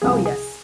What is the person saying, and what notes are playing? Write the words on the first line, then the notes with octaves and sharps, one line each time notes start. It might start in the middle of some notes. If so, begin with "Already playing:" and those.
Oh yes.
C2 C3 F3 A#3 G#4
G#4